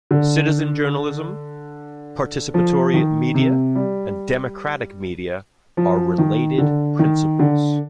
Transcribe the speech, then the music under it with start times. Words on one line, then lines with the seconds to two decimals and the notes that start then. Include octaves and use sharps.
Citizen journalism, participatory media and democratic media are related principles.
0.11 D3
2.54 F3
2.94 D#3
3.34 C3
3.75 G3
5.77 F3
6.18 D#3
6.58 D3
6.99 D#3
7.39 D3